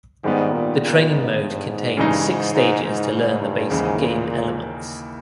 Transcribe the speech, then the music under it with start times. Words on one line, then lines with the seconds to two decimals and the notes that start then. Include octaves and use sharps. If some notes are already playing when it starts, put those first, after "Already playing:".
The training mode contains six stages to learn the basic game elements.
0.24 G#2 D#3 G3 B3
0.52 A#2
0.81 A#2
1.11 G#2
1.39 G2
1.68 G#2
1.97 G2 C#3 E3 G#3 D#4
2.26 G#2
2.55 G#2
2.83 G#2
3.12 G#2
3.41 G2
3.70 D#2 G#2 C#3 E3
3.99 A#2
4.28 A#2